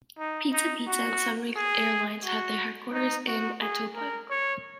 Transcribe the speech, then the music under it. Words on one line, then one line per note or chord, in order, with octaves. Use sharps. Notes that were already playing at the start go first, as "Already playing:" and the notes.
Pizza Pizza and Sunwing Airlines have their headquarters in Etobicoke.
D#4
D#4
F#4
G#4
F#4
D#4
F#4
G#4
A#4
C#5